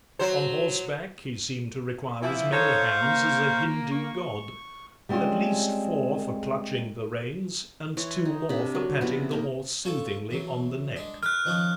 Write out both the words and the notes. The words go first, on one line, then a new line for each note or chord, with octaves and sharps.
On horseback he seemed to require as many hands as a Hindu god, at least four for clutching the reins, and two more for patting the horse soothingly on the neck.
F#3 C5
E3 F3 E4
D#4 A4 C5 C#5 F5 C#6
A#3
C#6
G3 G#3 C4 C#4 F4
E3 C#5 C6 C#6
D#4
C3 D4 B5
F#3
C3 E3 F3 B3
A#3 D#4
C#4 F4 A4
E3 F#3
G#3 D4
A#4 B5 F6 F#6
D#3 F3 C#4